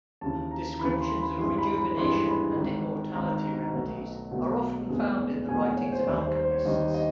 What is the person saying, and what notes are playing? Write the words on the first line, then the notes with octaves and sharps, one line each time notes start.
Descriptions of rejuvenation and immortality remedies are often found in the writings of alchemists.
D#2 C#3 E3 A5
A#5
D#2 C#3 E3 B5
C6
B5
G#1 G2 E3 G#3 C6
B5
B5
G#1 G2 E3 G#3 C6
B5
G#1 G#2 D#3
G#1 G#2 D#3 A#5
A#5
A#5
B1 B2 F#3 A3
B1 B2 F#3 A3
F1 E2 B2 G#3
F1 E2 B2 G#3 G#5
F#5
C#5
C5
D#2 D#3 G3 D5
C5
C5
C#5
D#2 D#3 G3 D#5
D#5